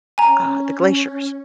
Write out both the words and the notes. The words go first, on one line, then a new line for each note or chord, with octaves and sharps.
uh, the glaciers.
C#4 G#5 A#5